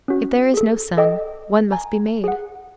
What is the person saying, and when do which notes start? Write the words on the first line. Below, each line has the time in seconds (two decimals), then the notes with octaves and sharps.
If there is no sun, one must be made.
0.08 C#4 F#4
0.54 G#4 A4
0.97 A4 D#5 G5 D6
1.72 G#5 A#5
2.24 G#4 F#5